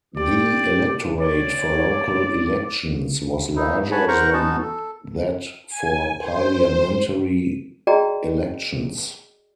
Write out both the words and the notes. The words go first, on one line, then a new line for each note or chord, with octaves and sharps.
The electorate for local elections was larger than that for parliamentary elections.
G4 D5
C#5 D5
D#4 E4
C#5 F#5 G#5 A5 B5
A#4 C5 F#5 A#5 C#6
B3 C#4 D#4 F#4 A5
A4
G#5
C5
F#4 G#4 D5 D#5 G5 A#5